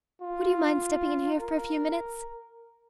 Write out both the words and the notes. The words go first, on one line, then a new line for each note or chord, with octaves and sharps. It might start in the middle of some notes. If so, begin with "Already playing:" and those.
Would you mind stepping in here for a few minutes?
F4
A#4